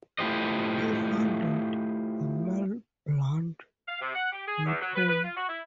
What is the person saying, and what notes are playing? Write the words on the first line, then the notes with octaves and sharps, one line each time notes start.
He founded the Mel Blount Youth Home.
A3 E4 F4 G4 C5 D#5
F5
C3
F#5
G4
G#4
E2
F#3
B4
B4
F4
F#4
E4